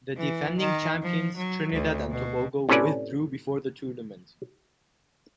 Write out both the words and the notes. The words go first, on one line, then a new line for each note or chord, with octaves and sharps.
The defending champions Trinidad and Tobago withdrew before the tournament.
E3
D#3
F3
F#3
D2
B2
A2 C3 C#4 A4 B4 D5